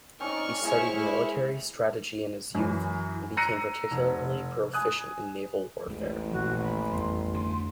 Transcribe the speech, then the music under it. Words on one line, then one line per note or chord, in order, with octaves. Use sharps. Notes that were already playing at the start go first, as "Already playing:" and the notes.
He studied military strategy in his youth, and became particularly proficient in naval warfare.
C4 C#4 D#4 D5 C#6 F6
G#3 E4 C5 D#5 G#5
F#2 E3
A#5 E6 F#6 A#6 C#7 D#7
F1
G#5 D#6 F#6
A1 D#2 G#3
A#2 E3 F3 F#4
B5
F2 G3 B3 C6
D2